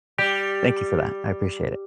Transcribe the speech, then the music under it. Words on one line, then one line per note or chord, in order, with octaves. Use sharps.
thank you for that. I appreciate it.
G3 G4